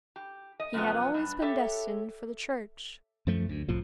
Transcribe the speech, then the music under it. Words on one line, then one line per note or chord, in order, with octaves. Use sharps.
He had always been destined for the church.
G4
D#5
F#2 C3 F3 G#3 B3
G2 D4
G4 A4 C#5 E5
F#2 F3 A3
D2
C2 A2 F3